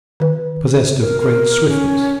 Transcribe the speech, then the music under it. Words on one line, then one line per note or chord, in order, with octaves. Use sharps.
Possessed of great swiftness.
D#3 B4
A#4
A#4
C#4